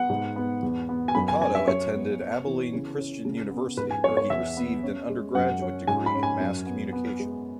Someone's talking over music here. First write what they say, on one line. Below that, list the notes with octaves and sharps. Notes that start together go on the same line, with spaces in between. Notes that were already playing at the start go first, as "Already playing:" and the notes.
Lucado attended Abilene Christian University where he received an undergraduate degree in Mass Communication.
Already playing: B3 F#5
G#2
B3
E2
B3
G#5
F#2 B5
G#5
C#4 G#5
E5
F#2 C#5
B3
B3
E3
C#3
C#4
C#3
B3
G#2 B4
G#5
B3 C#5
C#5
E2 E5
B3
C#4
G#3
F#2 F#5
C#4
G#2 G#5
B5
C#4
G#5
F#2
B3
B3
G#3